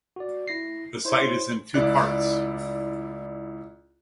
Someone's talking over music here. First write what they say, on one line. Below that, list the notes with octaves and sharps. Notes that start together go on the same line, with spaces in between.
The site is in two parts.
F#4 D5
E4 A#6 C7
E4 C5 C#5
C#2 E4 D5 F#6